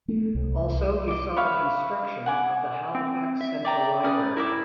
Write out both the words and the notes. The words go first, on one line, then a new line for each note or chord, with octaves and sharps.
Also, he saw the construction of the Halifax Central Library.
A3
C2
D#5 D6
B4 C#5 E5 F5
F#5 G#5 D6
C4
E5
D5 G5 A#5
C#4 B4 D5 D#6
E4 A#4 E5 D6